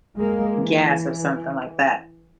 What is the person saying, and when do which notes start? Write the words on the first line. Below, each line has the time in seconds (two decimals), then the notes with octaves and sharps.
gas, or something like that.
0.15 G#3 A#3
0.57 E3